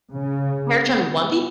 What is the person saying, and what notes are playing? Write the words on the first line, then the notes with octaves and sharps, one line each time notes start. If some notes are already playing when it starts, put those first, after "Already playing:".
character in One Pi
C#3
B3